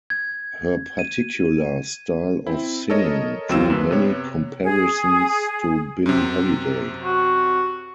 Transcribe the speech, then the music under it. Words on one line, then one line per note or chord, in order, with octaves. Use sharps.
Her particular style of singing drew many comparisons to Billie Holiday.
G#6
D#7
C4 E4
A4 A#4 C#5 D#5
C#2 F#3 C4 F4 E6 E7
F#2 B4
C3 B3 C#5
G#4
F#2 C3
F#4